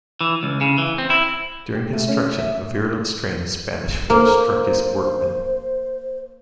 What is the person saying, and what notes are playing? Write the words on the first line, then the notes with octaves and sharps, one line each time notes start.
During construction, a virulent strain of Spanish Flu struck his workmen.
E3
C#2
C#3
E3
C4
E4
G4
A3
C#4
E5
A#3 C5